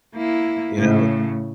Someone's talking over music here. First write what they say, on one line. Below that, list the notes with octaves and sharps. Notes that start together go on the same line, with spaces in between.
you know.
A#3 E4
A2 C#3